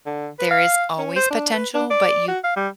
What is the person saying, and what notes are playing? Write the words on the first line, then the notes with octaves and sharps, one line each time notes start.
there is always potential, but you
D3
B4
F5
C#4
C5
D4
B4
D4
D5
F#4
F5
G3